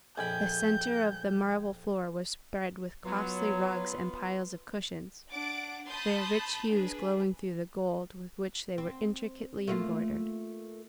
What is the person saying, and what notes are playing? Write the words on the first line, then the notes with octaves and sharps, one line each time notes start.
The centre of the marble floor was spread with costly rugs and piles of cushions, their rich hues glowing through the gold with which they were intricately embroidered.
A#1 F2 G5 G#5 B5 G6
F#3 B3 F4 B4
D4 F#5 D6 A6 D7
A5 B5 C6 D#6 G6 A6
D4 G#4 B4
C4
A3 A#3 F4